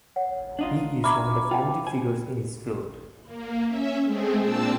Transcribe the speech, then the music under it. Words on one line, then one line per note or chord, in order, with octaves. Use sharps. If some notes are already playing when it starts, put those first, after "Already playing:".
He is one of the founding figures in his field.
C#5 F#5
D4 D#4 F4
E5 A#5 B5 D6
F4 G5
C5 G#5
A#3
C#4 E5
G#3 A3 C4 G#4
A#2 C4 D4 A5 E6